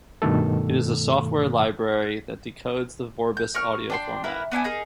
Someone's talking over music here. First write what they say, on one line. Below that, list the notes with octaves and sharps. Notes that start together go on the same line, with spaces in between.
It is a software library that decodes the Vorbis audio format.
G2 B2 D#3 A3 A4
G6
A#4 C#6 F6
D4 G5 C6
E4 A#4 B4
B3 D4 E4 G#5
D#4 G#4 A#4